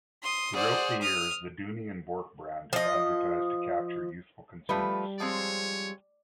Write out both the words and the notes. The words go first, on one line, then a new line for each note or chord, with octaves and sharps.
Throughout the years, the Dooney and Bourke brand have advertised to capture youthful consumers.
C6 D#6
G#4 C5 D5 F#5
D#6 F6
F3 D#5
F3 G3 A3 B4
F3 G#3 C4 C#5